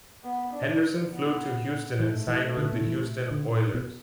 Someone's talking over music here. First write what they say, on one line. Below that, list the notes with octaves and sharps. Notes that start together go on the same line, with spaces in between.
Henderson flew to Houston and signed with the Houston Oilers.
B3
D4
B3
E3 A3
E3
D3
B2
D3
E3
D3
B2